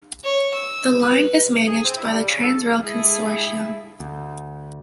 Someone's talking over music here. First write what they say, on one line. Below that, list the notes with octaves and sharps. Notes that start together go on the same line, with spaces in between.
The line is managed by the Transrail consortium.
C#5
E6
B4
G#4
C4
E4
G3
C#3
A4
G#3 E4 G#4 A4
D2